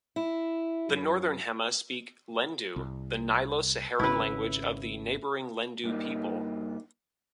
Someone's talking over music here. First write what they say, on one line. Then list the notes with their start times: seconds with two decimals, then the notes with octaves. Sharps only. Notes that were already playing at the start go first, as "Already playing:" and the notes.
The northern Hema speak Lendu, the Nilo-Saharan language of the neighbouring Lendu people.
0.16 E4
0.89 F#2
2.76 C2
3.99 G#1 C#3 E4 B4
5.84 G2 A#3 D#4